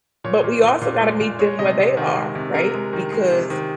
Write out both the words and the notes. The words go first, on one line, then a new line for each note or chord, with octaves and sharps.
But we also gotta meet them where they are, right? Because
A#2 C#5
A#2
A#2
A#2
G#3
A#2
G#3 C#5
C3 D#5
C3
D#3
G#3
C3
C3 A#4
G#3
D#3
G#3
C3
D#3